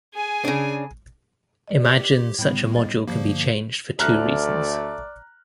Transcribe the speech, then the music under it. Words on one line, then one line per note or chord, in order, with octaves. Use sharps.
Imagine such a module can be changed for two reasons.
G#4 G#5
C#3 D4
B4 D5 D#5
G4
A2 G3 B3
D#5 A6
G2 D3 F3 A#3
D2 A3 D5 A#5 F6 F#6